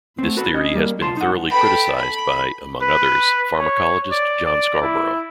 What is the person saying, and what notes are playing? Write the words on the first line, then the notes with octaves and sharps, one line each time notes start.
This theory has been thoroughly criticized by, among others, pharmacologist John Scarborough.
A3 C4
F#4 A4 B4
C#4 D#5
G3 A#3
C2 F4 A5 C6
D#4 F#5
A4 B4 G5 B5
B5
B4
C#5
D5
D5
E4